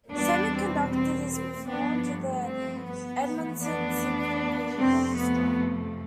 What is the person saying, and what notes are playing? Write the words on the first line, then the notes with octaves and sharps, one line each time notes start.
"Semi-Conducted" is performed with the Edmonton Symphony Orchestra.
E2 B2 G3 B3 D4
C4
C4
C4
G2 F3 A3 B3 D4
C4
B3
F2 E3 A3
B3 D4
F2 C3 F3 A3 C4
B3